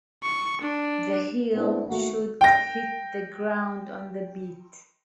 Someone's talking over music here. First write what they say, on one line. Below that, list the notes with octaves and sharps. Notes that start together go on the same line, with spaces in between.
The heel should hit the ground on the beat.
C#6
D4
A#2 G#3 B3 C4 D4 E4
G#1 A3 A#3 F#4
G5 A#6